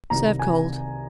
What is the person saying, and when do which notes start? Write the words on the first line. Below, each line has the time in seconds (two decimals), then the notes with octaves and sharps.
Serve cold.
0.10 C2 C3 D#3 A#5
0.39 G#5